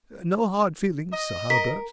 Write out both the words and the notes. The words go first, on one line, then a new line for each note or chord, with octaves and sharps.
"No hard feelings, Sir Hawerburch."
D#5
A#4 B6